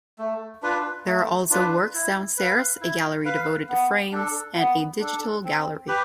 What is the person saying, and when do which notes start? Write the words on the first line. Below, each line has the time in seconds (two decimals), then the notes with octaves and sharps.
There are also works downstairs, a gallery devoted to frames, and a digital gallery.
0.18 A3
0.62 D4 F4 B4
1.06 A3
1.50 D4 F4 B4
1.94 E4
2.38 B4 F5
2.81 E4
3.25 B4 F5
3.69 B3
4.12 D4 A4
4.56 B3
5.00 D4 A4
5.44 C4
5.88 G4 B4